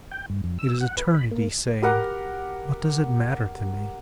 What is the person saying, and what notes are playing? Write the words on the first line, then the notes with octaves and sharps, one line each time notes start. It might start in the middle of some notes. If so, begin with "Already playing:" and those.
It is Eternity saying, "What does it matter to me?"
G5
G2
F2
E6
F#5
B4
B5
A#3
G4 A#4 F#5